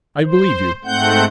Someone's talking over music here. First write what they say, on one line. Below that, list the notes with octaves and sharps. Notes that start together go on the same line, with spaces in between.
"I believe you."
C5
G#2 A3 C4 F#5 G6